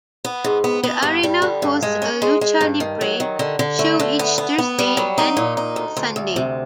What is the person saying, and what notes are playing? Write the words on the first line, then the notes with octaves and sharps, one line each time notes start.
The arena hosts a lucha libre show each Thursday and Sunday.
B3
G#2
B3
B3
G2
G3
D3
G2
G#3
C#4
G#3
G#3
G2
D#3
F#3
D#3
D3
D3
A3
D3
B3
B3
B3
G3
F#3
D#4
A#2
D#4
D2
D2
D2
C3